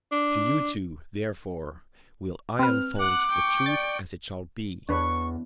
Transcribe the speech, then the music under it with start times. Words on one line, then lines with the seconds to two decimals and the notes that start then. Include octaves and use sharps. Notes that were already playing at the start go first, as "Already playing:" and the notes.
To you two, therefore, will I unfold the truth as it shall be.
0.12 D4
2.59 C4 B4 F6
2.99 F#5 D6 F#6
3.31 G5 C#6
3.66 D5 A6
4.89 E2 D4 B4 C#5 C#6